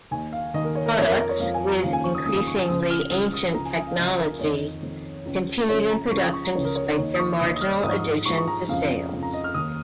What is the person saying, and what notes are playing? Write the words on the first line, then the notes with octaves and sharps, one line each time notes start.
Products with increasingly ancient technology continued in production despite their marginal addition to sales.
D#2 D#3 G#5
F5
D#2 D#3 D#5
A#4
C#5
A#4
F2 F3 C#5
A#4
A#4
C#5
F2 F3 F5
G#5
A#5
D#2 C#3 F3 F5
G#5
C#6
D#6
D#2 C#3 F3 D#6
D#6
C#6
D#6
C#2 C#3 F3 D#6
F6
C#2 C#3 F3 D#6
D#6
C#2 C#3 F3 A#5
G#5
G#5
F5
C#2 C#3 F3 D#5
A#4
F2 D#3 C#5
F2 D#3
C#2 C#3 F3
C#2 C#3 F3 C#5
A#5
C#2 C#3 F3 C#6
D#6
C#6
A#5
C#2 C#3 F3 C#5
A#4
C#5
A#4
D#2 D#3 C#5
D#6
C#6
D#2 D#3 D#6
D#6
F6
G#2 F3 C#6 D#6
D#6
G#2 F3 C#6
C#6
A#5
F2 C#3 F3 F5
F2 C#3 F3
A#5
D#5
F6
D#2 D#3 D#6